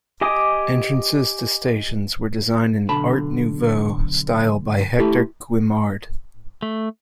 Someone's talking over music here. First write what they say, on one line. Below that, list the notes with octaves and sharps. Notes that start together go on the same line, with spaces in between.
Entrances to stations were designed in "art nouveau" style by Hector Guimard.
G4 D#5 G#5 D6 D#6
B1 D3 A5 B5
A3 E4 G4 A4
A3